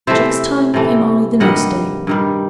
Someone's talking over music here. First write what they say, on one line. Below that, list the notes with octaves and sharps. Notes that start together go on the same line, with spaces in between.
Jack's time came only the next day.
C3 E3 A3 C5 E5
C3 E3 A3
G2 D#3 G3 D#5 F#5
G2 D#3 G3